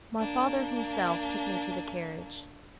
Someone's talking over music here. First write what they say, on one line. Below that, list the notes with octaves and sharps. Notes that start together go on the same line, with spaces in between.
My father himself took me to the carriage.
A#3 D4